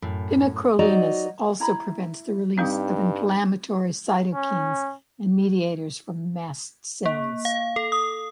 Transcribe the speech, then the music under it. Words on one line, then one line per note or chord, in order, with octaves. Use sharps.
Pimecrolimus also prevents the release of inflammatory cytokines and mediators from mast cells.
F#2 A2
F#3 D#4 F#4 D5 D#5 A#5
E4 A#5 B5
G2 G3 C4 D#4 G4
C#4
A#3
F5
A4
D#6